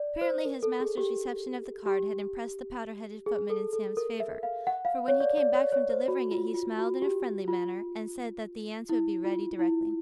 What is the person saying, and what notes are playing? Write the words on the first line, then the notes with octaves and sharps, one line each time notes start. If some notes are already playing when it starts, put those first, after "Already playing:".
Apparently his master's reception of the card had impressed the powdered-headed footman in Sam's favour, for when he came back from delivering it, he smiled in a friendly manner, and said that the answer would be ready directly.
Already playing: D5
C5
A#4
A4
G#4
G4
G4
G#4
A4
A4
A#4
E5
F5
F#5
F5
C#5
D5
D5
C#5
C#5
C5
F#4
F4
F4
F#4
G4
F4
E4
F4
E4